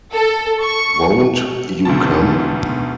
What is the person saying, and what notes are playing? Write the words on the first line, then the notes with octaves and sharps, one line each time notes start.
Won't you come?
A4
C#6
D2 G#2 B2 A5